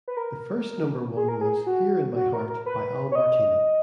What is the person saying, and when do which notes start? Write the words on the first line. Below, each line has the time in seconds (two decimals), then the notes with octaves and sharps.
The first number one was "Here in My Heart" by Al Martino.
0.08 B4
0.17 A#4
1.17 G#4
1.29 A#4
1.41 G#4
1.67 F#4
2.16 F#4
2.33 A#4
2.50 A#4
2.66 B4
3.12 C#5
3.15 D#5